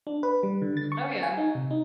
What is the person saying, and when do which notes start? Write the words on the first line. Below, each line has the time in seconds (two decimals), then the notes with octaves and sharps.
M oh, yeah.
0.07 D4
0.23 B4
0.43 G3
0.62 D3
0.77 A6
0.92 C#6
1.23 G#5
1.37 D#4
1.55 C3
1.71 D#4